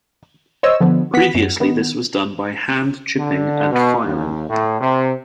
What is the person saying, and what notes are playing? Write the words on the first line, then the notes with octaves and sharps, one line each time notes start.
Previously this was done by hand chipping and filing.
C5 C#5 D#5 E6
D3 F3 B3
B3 F#5 B6
F#2
D#3 B3
D3
B2
D#2
A2
C3